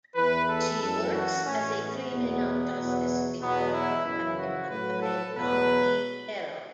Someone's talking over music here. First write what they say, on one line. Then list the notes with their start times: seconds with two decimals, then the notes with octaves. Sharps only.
She works as a criminal justice reporter at The Monterey County Herald.
0.16 E2 E3 B4
0.48 A4
0.81 F#2 E3 A4
1.13 F#4
1.45 A2 E3 C#4
1.78 B3
2.11 E2 B2 F#3
2.75 E2 B2 F#3
3.40 E2 B2 F#3 B3
3.73 E4
4.05 F#2 C#3 E3 E4
4.37 F#4
4.69 A2 F#3 B4
5.02 A4
5.35 E2 B2 F#3 B4